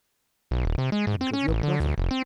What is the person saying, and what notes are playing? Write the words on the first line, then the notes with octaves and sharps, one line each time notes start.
Think of your brother!
B1
D#1
C3
G#3
G#2
C4
C#4
A1
D3
D2
F1
C4